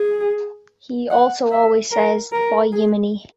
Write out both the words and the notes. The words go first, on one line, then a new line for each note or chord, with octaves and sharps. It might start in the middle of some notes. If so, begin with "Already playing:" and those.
He also always says 'By Yiminy!'.
Already playing: G#4
F#5
E5
A#4
A#4
G#4